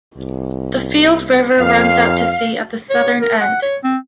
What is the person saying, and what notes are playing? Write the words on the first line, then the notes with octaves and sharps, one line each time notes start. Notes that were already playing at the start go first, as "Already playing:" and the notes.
The Field River runs out to sea at the southern end.
C2
F2 F5
C#5
A#4
F#5
C#5
C4